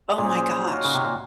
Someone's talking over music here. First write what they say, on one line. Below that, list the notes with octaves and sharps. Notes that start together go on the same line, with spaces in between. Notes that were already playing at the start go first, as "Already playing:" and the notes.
Oh my gosh.
A#2 C#4 G#4 C5
D#4 F#4 C#5 F5
C#3
C3
A#2